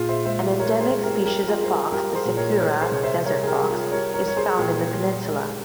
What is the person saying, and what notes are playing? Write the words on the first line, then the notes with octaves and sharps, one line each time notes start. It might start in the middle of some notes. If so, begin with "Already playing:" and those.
An endemic species of fox, the Sechura desert fox is found in the peninsula.
Already playing: A#2 F4 G#4
C5 E5
G#3 C5 E5
G#3 A#4 C#5
G#4 C5
G#3
G4 A#4
G3 G4 A#4
A#4
F4 G#4
G3
C5
G4 A#4
G3 G4 A#4
G#4 C5
A#2
A#4 C#5
G3 A#4 C#5
G#4 C5
C3 C#5
C5 E5
G3 A#4 C#5
G#4
G4 A#4
G3
F4 G#4
G3 A#4 C#5
A#4 C#5
G3 C#5
G#4 C5
A#2 G4 A#4
G3
G#3